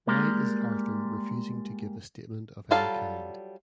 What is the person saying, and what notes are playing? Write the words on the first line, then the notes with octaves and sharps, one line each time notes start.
Why is Arthur refusing to give a statement of any kind?
G3 G#3 A#3 A#4
F#3 G3 F4 A4 F5